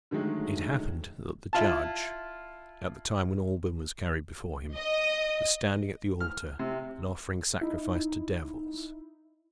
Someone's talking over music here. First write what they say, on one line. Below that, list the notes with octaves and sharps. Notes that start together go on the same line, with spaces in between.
It happened that the judge, at the time when Alban was carried before him, was standing at the altar, and offering sacrifice to devils.
D3 D#3 F#3 G#3 A3
E4 F4 A5
D#5
F6
C3
D#4 E4